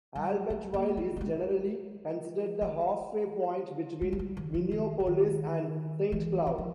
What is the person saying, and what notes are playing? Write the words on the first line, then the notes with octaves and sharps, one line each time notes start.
Albertville is generally considered the halfway point between Minneapolis and Saint Cloud.
G3
A3
A#3
A3
G3
G#3
A3
G#3
G#3
G3
D#3
F3
D#3
D3
D#3
E3
E3
F3